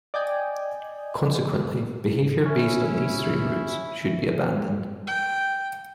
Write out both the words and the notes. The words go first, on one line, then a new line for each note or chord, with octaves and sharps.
Consequently, behaviour based on these three roots should be abandoned.
D5 D#5 G5 G#5
C#4 E4 E5
G5